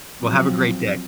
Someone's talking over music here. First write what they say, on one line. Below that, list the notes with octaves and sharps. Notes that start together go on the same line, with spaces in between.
Well, have a great day.
F3 F#3 C4